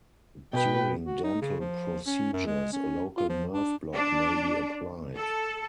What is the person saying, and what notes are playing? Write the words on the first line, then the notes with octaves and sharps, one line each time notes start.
During dental procedures, a local nerve block may be applied.
B2 B4 G5
F#4
D#4
C#3
F3
C#4
F#2
G#3
C#4
F4
F3
D4
D4
A4